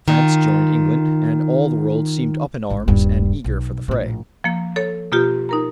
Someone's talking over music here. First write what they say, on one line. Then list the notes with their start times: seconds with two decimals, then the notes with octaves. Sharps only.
France joined England, and all the world seemed up in arms and eager for the fray.
0.08 D#3 F4
2.70 A1 G#2
2.88 D#1 G2
3.44 B1
3.88 A#1 A2
4.44 F3 A#3
4.76 A4 C#5
5.12 B2 A#3 F4 G4
5.49 D#4 A#4 A#5